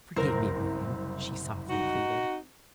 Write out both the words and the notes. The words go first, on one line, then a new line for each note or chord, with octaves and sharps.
"Forgive me, William," she softly pleaded.
F#1 C2 C4 A#4
D#4 F#4